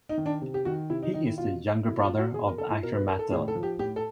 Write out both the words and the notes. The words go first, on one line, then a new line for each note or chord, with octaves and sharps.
He is the younger brother of actor Matt Dillon.
D#4
D#3
D4
C3
G4
D#3 F#4
C3 E4
D#4
D#3 D#4
E4
B2 F4
B2 E4
F4
F#4
B2 G#4
A#4
A4
E4
B2 A#4
B4
A#4
A4
A2 G#4
A4
F3
G4
A2 G4
A4